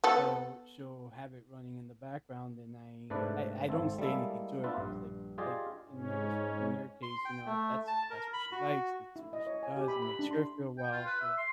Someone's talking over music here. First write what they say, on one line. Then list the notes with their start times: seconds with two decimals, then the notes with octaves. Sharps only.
so she'll have it running in the background, and I I I don't say anything to her, because, like like, in your s in you case, you know, that's that's what she likes, it's what she does and makes her feel well, so
0.04 B3 A4
3.10 G#2 C3 A3 D4 B4 D5
3.69 G#1 C4 A4
3.99 G3 G#3 A#3 E4 A4
4.64 B3 D4 F4 B4 E5 A5
4.77 A#1 G2
5.38 F4 G4 G#4 D5 D#5 F5
5.89 G#2 C#4
7.03 C6
7.25 G5
7.46 A3
7.87 A5
8.11 A#4
8.33 B5
8.52 F#4
9.16 E4
9.33 D#5
9.47 C#5
9.63 G#5
9.76 G4
9.88 B5
10.02 B5
10.19 D4
10.31 C6
10.78 G5
10.92 F4
11.06 B4
11.21 E5
11.37 C6